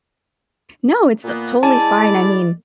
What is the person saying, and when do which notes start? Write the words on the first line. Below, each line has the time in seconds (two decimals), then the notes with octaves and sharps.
No, it's, uh, totally fine. I mean,
1.24 A#2 A#3 B3
1.63 G#3 E4 D5 G#5 A5